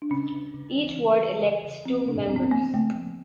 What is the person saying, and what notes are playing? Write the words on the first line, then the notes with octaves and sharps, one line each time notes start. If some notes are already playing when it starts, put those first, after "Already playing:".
Each ward elects two members.
D4
C#3 C#4
C#3
C#3
E3
C#3
E3
C#3
C#3
F3 C4
C#3 D4
F3 C4
B3
C4
F3 A#3
C#3 A3
F3